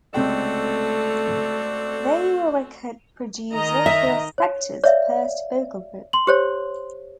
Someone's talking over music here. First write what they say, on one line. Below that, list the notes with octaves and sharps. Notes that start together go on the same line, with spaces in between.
They were record producer Phil Spector's first vocal group.
C#2 C3 A3 C4 F#4 A4 D5 G5
D#3 D#5 A#5
E5
C#5
C#5 D5 E5 F5
C6 F#7
G4 C5 C#5